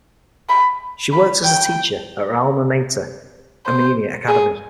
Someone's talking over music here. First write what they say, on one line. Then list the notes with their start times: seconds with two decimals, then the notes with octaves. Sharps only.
She worked as a teacher at her alma mater, Amenia Academy.
0.49 B5
1.12 B5
1.44 G5
3.66 C5
4.28 G#4